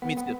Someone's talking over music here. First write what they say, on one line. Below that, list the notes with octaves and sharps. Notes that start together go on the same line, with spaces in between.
Me too.
B3
B3